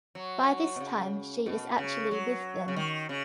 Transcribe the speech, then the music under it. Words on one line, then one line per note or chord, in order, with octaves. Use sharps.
By this time she is actually with them!
F#3
B2
C#3
B2
C#3
F#3
C#3
D#3
C#3